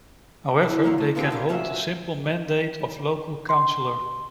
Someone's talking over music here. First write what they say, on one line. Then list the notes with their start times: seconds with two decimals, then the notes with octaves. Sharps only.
However, they can hold a simple mandate of local councillor.
0.61 B2 E4
0.84 A#2 F#3 A#3 F4 F#4
0.98 A3
1.15 D3 F3 B3 C4 F#4 G4
1.32 D3 G4 G#4 A#4 F5
1.49 D2 C#4 F4 F#4 E5
3.49 C6